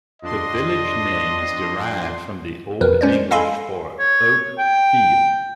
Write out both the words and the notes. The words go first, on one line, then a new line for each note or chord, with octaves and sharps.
The village name is derived from the Old English for "Oak Field".
F2 D4 D#5 C6
F2 F3 A#4 B4
G#3 C#4 C5 D5
A4 D#5 F5 G#5 B5 C6
C#5
G5